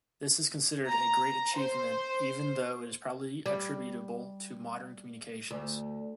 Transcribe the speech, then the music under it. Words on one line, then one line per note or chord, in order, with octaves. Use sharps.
This is considered a great achievement even though it is probably attributable to modern communications.
A#5
C5
G3
D2